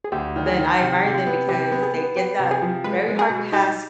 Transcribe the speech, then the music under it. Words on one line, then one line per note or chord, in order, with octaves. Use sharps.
but then I admire them because they did that very hard task
G#4
D2 G4
D#3
G#4
D#3
C3
C3
F4
B3
C3 G4
B3
G#4
B3
B3 G4
C3
G#4
F3
G#3 B4
G#3
G#4
B2
D#4 G4